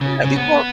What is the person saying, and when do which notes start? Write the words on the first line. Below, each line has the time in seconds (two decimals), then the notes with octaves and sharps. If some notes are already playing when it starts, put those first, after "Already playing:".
Yeah, the e well,
0.01 C#3
0.25 C#3
0.37 B3